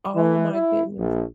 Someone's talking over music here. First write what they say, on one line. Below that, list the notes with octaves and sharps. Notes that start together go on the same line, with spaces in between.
Oh my goodness.
E3
E4
A#1